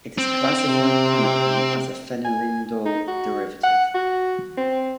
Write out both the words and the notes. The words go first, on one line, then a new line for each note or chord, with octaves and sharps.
It is classified chemically as a phenylindole derivative.
C4
C3
G#5
D#4
F#4
F#5
F#4
C4